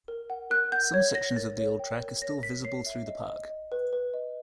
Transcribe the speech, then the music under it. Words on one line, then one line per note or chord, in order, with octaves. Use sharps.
Some sections of the old track are still visible through the park.
A#4
F#5
A#4 F#6
F#5 G6
C#5 G#6
F#5 A#6
A#4 A6
C#5
G5
A#4
C#5 A#6
A#4 B6
C#5 C7
E5
D#5
D#5
D#5
B4
B4
D#5